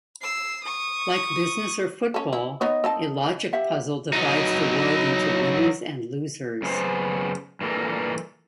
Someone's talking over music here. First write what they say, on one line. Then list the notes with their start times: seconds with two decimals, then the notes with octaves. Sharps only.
Like business or football, a logic puzzle divides the world into winners and losers.
0.21 E6 C7
0.64 C#6 D#6
2.14 C#4 A4
2.33 E4
2.61 B3 D#4 C#5 D#5
2.84 C4 D#4 A5
3.53 G4 E5 F#5
4.13 F#3 D#4
6.62 F#2 C#3 B3 C5
7.61 G2 A#2 E3 A#3 A4 A#4